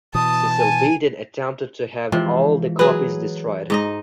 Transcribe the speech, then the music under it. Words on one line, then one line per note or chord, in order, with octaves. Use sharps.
Cecil Beaton attempted to have all the copies destroyed.
B2 E3 A5 D#6
G#5
C3 E3 F3 G#3
F#3 G#4 B4
G#2 D#4 D#5